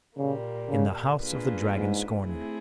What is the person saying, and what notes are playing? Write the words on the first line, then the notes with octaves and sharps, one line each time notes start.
In the House of the Dragon Scorner.
A#2 C#3 G3 A#3
C#3
A#3 D4 F4 G#4 B4
G#2
A3 C4 E4 G#4